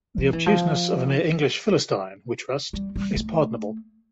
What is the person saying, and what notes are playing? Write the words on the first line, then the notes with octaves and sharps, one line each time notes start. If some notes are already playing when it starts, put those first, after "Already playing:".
The obtuseness of a mere English Philistine we trust is pardonable.
F3
E3
F3
G3
G3
A3